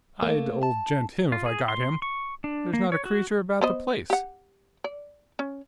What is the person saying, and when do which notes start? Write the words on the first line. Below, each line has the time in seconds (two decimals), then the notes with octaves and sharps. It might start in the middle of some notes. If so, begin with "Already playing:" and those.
I'd old gent him if I got him!--There's not a creature about the place!'
0.23 A3 A#3
0.63 A5
1.32 F4
1.46 G#4
1.68 C6
2.02 C#6
2.44 D4
2.73 A#3
2.92 C#5
3.05 F#4
3.61 B3 C5 D#5
4.10 G4 F#5
4.84 D5
5.39 C#4